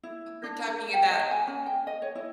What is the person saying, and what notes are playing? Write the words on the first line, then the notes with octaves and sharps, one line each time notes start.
we're talking about,
E4
D4
A#4
G5
D#5
G#5
C#4
G5
D#5
C#5
E4